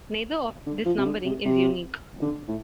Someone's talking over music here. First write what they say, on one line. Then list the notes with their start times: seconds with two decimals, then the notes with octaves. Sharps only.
Neither of this numbering is unique.
0.66 D3
0.85 F3
0.97 C3
1.05 D3
1.25 C3
1.45 C3
2.22 D3
2.48 A2